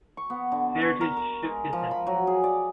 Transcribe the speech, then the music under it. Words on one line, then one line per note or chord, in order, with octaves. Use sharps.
Heritage shook his head.
C#6
B3
D3
C#6
A#4
A#4
G#3
F3
B5
F#3
G#4
D5